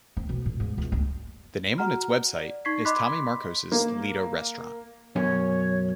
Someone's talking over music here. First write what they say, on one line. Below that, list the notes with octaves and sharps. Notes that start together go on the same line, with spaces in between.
The name on its website is "Tommy Marcos' Ledo Restaurant".
C4
B1
A2
G#2
C#2
D4
F#4 F#5 A#5 F6
D5
D#4 C#6 G#6 B6 C7
D#5 B5 C6 D6 F#6 B6
A#3
F#2 B2 C#4 C#5